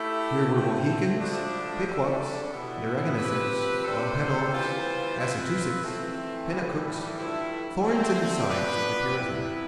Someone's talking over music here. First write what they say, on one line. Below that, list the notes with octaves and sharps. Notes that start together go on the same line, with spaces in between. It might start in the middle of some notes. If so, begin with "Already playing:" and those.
Here were Mohicans, Pequots, Narragansetts, Wampanoags, Massachusetts, Penacooks, thorns in the side of the Puritan.
Already playing: A3 E4 G4
D3 F3 A3 C4
A2 F3 A3 D4
D3 G3 D4 A4
B2 B3 E4
F3 C4 G4 B4
C3 G3 D4 A4 C5
E3 G3 B3 F4 C5
F3 C4 F4 B4
E3 A3 C4
A2 E3 G3
G2 D3 F3 A3 E4
D3 A3 C4
F3 B3 D4 G4 B4
C3 G3 B3 E4